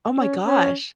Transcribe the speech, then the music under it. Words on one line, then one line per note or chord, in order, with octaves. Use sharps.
Oh my gosh.
C#4
C#4